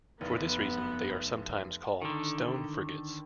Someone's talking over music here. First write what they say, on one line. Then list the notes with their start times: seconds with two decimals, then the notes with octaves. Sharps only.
For this reason they are sometimes called stone frigates.
0.21 F1 B3
2.02 D3 D#3